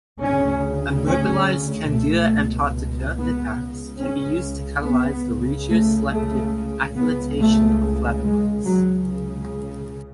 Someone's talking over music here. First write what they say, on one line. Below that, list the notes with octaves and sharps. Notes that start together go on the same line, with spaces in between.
Immobilized "Candida antarctica" lipase can be used to catalyze the regioselective acylation of flavonoids.
D2 C#3 C#4
C#4
C#2 B2 A3
B3
C#2 C#3
C#4
B3
C#2 C#3
A3
A3
C#2 C#3 B3
A3
G#3
C#2 C#3 F#3